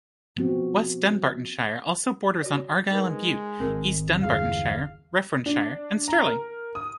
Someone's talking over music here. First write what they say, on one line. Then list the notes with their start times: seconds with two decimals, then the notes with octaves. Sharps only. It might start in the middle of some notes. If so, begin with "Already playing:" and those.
West Dunbartonshire also borders onto Argyll and Bute, East Dunbartonshire, Renfrewshire and Stirling.
0.37 F3 B3 C4 F#4
2.42 F#4 C#5 D5
2.91 G#3 D#4 A#4 B4
3.60 G#1 G#2 C4 A#4 A5
4.23 G1 E2 G2 G3 G#3 G#4 F5
5.46 D4
6.08 A#5
6.26 A#4
6.75 D#6